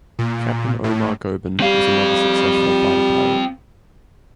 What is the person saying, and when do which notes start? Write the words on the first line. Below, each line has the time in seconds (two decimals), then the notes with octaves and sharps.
Captain Omar Goben was another successful fighter pilot.
0.19 A#2
0.84 A2
1.60 G3 C4 F5